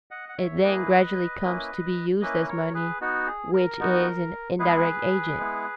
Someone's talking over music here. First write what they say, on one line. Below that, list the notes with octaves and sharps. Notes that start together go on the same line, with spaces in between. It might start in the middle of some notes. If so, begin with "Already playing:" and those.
It then gradually comes to be used as money, which is an indirect agent.
D#5 F#5
F#5
C#5 E5
A#3 E4 G#4 B4 D#5
A#3 C#4 E4
A#3 C#4 E4 B4 D#5
A#4 C#5
G#4 B4
B3 D#4 F#4
G#4
A#4
B3 D#4 F#4
G#3 B3 E4 G#4 B4
G#3 B3 E4